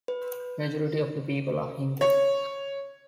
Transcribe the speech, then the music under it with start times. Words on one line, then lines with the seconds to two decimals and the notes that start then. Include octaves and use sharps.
Majority of the people are Hindu.
0.08 B4
2.01 C#5